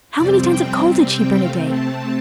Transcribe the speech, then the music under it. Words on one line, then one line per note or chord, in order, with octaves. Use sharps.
How many tons of coal did she burn a day?
F2 C3 G3 C4 D5
G5
C3 G3 C4
G5
C3 A3 C4 F5
A5